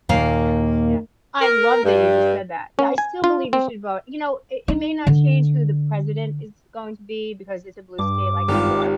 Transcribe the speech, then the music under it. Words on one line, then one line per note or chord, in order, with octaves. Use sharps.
Determined, yeah, I love that you just said that, yeah, I still believe we should vote. You know, it it may not change who the president is going to be because it's a blue state like New York,
D#2 A#2 A#3 A#4 F5
A#4
G2
C#4
G#5
F4
C4
D#4
D3
G2 D6
G#1 F4 G4